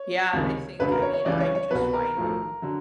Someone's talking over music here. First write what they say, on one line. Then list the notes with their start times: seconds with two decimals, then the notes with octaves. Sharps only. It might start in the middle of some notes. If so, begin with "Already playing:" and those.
Yeah, and I think, I mean, I'm just finding
Already playing: C#5
0.33 C#2 C3 D#3 G3
0.79 E1 D2 C#3 B4
0.91 A#4
1.02 C#5
1.13 C#5
1.25 C#2 C#3 E3 G3 D5
1.40 C#5
1.55 C#5
1.71 C2 B2 F#3 B4
1.93 A#4
2.17 B1 A2 F3
2.62 D3 F#3